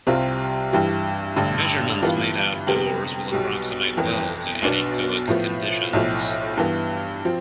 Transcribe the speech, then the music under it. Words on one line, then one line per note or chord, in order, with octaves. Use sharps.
Measurements made outdoors will approximate well to anechoic conditions.
C2 C3 G3 C4 F4
G2 E3 G3
A1 G2 D3
G2 E3 B3 F4 B4
F2 C3 G3 B3
B1 B2 G3
G1 F2 E3 B3
B1 B2 B3 D4
A2 F3 B3
B1 A2 F3
G2 E3 B3
F3 C4